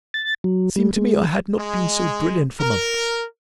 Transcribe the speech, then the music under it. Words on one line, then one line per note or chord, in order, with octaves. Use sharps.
It seemed to me I had not been so brilliant for months.
A6
F#3
G3
G#3
G#3
A#4